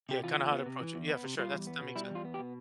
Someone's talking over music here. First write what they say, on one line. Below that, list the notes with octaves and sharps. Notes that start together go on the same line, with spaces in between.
Yeah, kinda how to approach it. Yeah, for sure, that's that makes sense.
C3 G4
E3 F4
E2
B3
C3
E3
E2
B3
C3
G3 F4
E2
B3
B2
G3 E4
E2
F4
B3
G4
B2